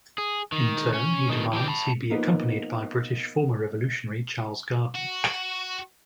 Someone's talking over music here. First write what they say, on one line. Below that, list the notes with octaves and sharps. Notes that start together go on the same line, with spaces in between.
In turn he demands he be accompanied by British former revolutionary Charles Garden.
G#4
D#3
C#4
B2 D#3
E3 G4
A5 B5
F3 A#3 B3 D#4
F#4